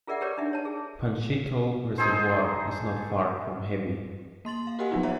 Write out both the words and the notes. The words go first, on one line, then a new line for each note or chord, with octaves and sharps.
Panshitou reservoir is not far from Hebi.
F4 G#4 A#4 D5 E5 F#5
G4 G#4 A#4 B4 C#5 D5
D4 D#4 E5
C#5 A5
G#4
D#4 G#4 A4 C5
A#3 C6 A6 F#7
F5
F#4 G4 A#4 D#5 F#5 G#5
F3 F#3 B3 D#4 F4
C#5 E5 F#5 A#5